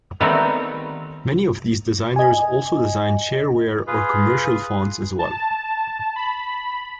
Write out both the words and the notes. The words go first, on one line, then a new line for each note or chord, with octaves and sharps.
Many of these designers also design shareware or commercial fonts as well.
D#3 G3 A3 B3 C4 D#4
D#5 G#5
F4 G#4 B4
A5
B5